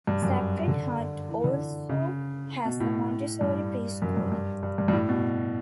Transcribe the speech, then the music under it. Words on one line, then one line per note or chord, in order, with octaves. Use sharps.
Sacred Heart also has a Montessori preschool.
G2
F#2
D3
E3
D3
C#3
B2
A2
G2
F#2
G2
G2
G2
G2
G2
A2
B2